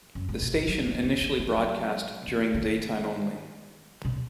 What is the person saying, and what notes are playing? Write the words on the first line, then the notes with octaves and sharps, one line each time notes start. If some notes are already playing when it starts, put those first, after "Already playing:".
The station initially broadcast during the daytime only.
F#2
A2
B2
D#3
F#3
F#3
E3
E3
E3
F#3
E3
D#3
B2